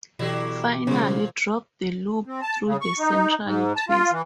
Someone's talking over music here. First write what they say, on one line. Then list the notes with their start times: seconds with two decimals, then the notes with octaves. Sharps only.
Finally drop the loop through the central twist.
0.19 B2 D3 E3 F#3 E4 G4
0.87 A#2 C#3 F3 G#3
2.25 C4
2.42 A5
2.66 C#3
2.81 C#6
2.99 D#4
3.44 G#2
3.76 A5
3.89 F4
4.11 E3